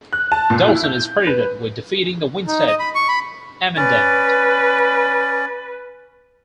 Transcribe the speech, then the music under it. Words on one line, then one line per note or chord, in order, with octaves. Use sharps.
Dawson is credited with defeating the Winstead Amendment.
F#6
A5
A#2
E4
G6
B4
D#4
D#5
B5
C#6
B5
C#4 B4 D5